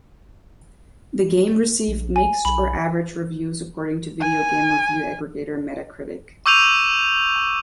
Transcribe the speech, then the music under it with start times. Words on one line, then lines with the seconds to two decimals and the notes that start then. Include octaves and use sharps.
The game received "mixed or average" reviews according to video game review aggregator Metacritic.
1.88 A#1
2.16 G#5
2.45 B1 B5
4.21 G#5
6.46 C#6 D6 E6 G6 D#7 F7